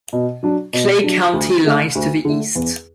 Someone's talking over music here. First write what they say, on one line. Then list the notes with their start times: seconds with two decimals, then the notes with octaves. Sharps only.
Clay County lies to the east.
0.13 B2
0.43 F#3 D4
0.73 B2
1.03 F#3 D4
1.33 D2
1.64 D3 A3
1.95 D2
2.25 D3 A3
2.55 E2